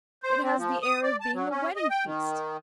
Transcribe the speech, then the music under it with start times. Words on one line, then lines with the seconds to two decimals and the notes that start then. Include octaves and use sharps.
It has the air of being a wedding feast.
0.23 C5
0.43 C4
0.57 F3
0.83 D#6
1.03 D5
1.21 A5
1.34 F#3
1.50 C#4
1.76 D#5
1.90 G5
2.05 D#3